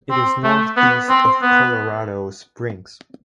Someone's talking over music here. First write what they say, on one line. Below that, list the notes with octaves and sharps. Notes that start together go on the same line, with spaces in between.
It is northeast of Colorado Springs.
C4
A3
B3
C4
B3